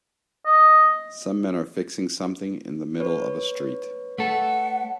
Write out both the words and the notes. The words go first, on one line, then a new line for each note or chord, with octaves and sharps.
Some men are fixing something in the middle of a street.
D#5
B4 C#5
A3 A4 F#5